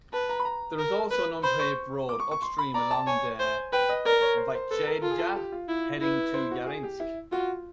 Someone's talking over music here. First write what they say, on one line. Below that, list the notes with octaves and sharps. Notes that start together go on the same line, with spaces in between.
There is also an unpaved road upstream along the Vychegda, heading to Yarensk.
B4 A5
A#5
B5
A#5
A#4
B4
C5 B5
C#6
D6
C#6
C#6
C6
B5
D5 A#5
A5
C#5 G#5
C5
B4 G5
D#5
A#4 D5
C#5
C5
C5
A4 B4
A#4
F4 A4
G#4
A4
G4
F4
E4
E4 B4
C5
F#4
G#4
G4
E4
F4 F#4